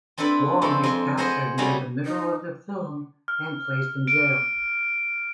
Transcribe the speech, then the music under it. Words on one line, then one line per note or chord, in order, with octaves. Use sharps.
Wong is captured near the middle of the film and placed in jail.
C4 D4 E4 A4 B4
F3 G#3 C4 A4
F2 C6
G#4 B4 C5 D#5 F#5 G#5
G3 A3 C#4 E4 F#4 G#4
D#4
F6
D7